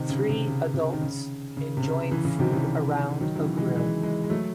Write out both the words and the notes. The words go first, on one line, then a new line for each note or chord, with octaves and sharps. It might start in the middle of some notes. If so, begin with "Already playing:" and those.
Three adults enjoying food around a grill.
Already playing: C3 D#3
C#3
C3
C#3
C3
D#3
C#3
C#3
C3
C#3
C#3 E3
C#3 E3
C3 D#3
C#3 E3
D#3 F#3
F#3
C#3 E3
E3 G#3
E3 G#3
E3 G#3
G#3
F#3 A3